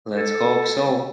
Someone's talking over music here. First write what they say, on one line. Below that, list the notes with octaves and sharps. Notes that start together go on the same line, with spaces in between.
Let’s hope so.
A4